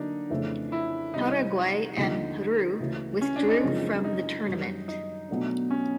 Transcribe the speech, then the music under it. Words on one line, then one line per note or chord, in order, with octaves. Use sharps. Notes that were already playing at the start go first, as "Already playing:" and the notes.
Paraguay and Peru withdrew from the tournament.
Already playing: D3 F#3 A#3 D4 D#4
F2 C#3 E3 A3
E4
C2 C3 D#3 D#4
D#2 D3 F3 D#4
D2 C#3 E3
C#4
D4
D#4
F#2 C#3 F3 G#3 C4
D#4
F#2 D#3 G3
D#4
B2 F#3 A3 D4
C#4